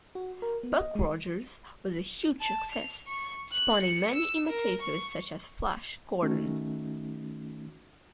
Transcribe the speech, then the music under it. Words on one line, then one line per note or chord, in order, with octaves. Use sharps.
"Buck Rogers" was a huge success, spawning many imitators such as "Flash Gordon".
F#4
A#4
B3
D#5
G#3
A5
F7
C#6
F#6
C#7
E6
A#4
C#6
D#3 A3 C#4 D#4 F#4